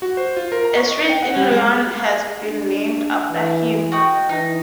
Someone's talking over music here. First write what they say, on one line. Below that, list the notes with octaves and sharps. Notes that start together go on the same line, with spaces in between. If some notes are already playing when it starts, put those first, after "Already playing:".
A street in Lyon has been named after him.
F#4
C5
F4
A#4
A#5
C#6
D#5
G5
F#5
G3
G#3
D4
E3
F#4 D#5 G5
E3 D#4